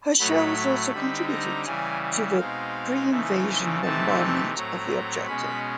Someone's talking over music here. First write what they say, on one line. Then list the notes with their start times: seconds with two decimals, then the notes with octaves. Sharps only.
Her shells also contributed to the preinvasion bombardment of the objective.
0.19 A2 F#3 A3 B5
0.92 D3 G3 C4 D#4 B5
1.28 A#5
1.65 C#3 E3 G3 G#5
2.37 B2 G#3 C4 D#4 F5
3.10 C#3 E3 A3 C4 D#4
3.82 C3 E3 A3 C4 D#4 A5
4.54 A2 F#3 A3 C4 A#5
5.27 B2 G#3 C#4 B5